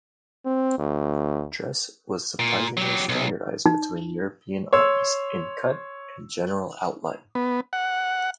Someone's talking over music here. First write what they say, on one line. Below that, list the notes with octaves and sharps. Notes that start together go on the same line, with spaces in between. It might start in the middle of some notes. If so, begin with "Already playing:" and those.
Dress was surprisingly standardised between European armies in cut and general outline.
C4
D2
A#2
F#3 G4
B1
D#4
C#5 C6 E6
B3
F#5